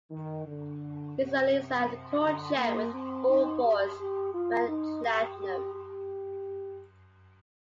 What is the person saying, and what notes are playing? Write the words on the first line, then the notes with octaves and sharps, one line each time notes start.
"Lisa Lisa and Cult Jam with Full Force" went platinum.
D#3
D3
C3
D3
A#3
C4
D#4
G4
G4
F4
D#4
G4
G4
G4